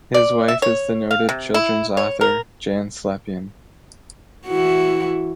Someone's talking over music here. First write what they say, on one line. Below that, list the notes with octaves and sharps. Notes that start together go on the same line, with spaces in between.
His wife is the noted children's author Jan Slepian.
D5
E5
C#5
F5
C3
E4
C#5
A#4
E3 E4 F#4